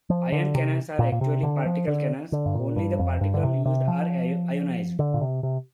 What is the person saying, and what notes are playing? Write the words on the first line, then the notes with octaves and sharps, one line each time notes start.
Ion cannons are actually particle cannons; only the particles used are ionized.
F3
D3
C3
A#2
A#2
C3
D3
F3
D3
D3
G2
A#2
G2
F2
G2
D3
C3
C3
F3
D3
A#2
C3
C3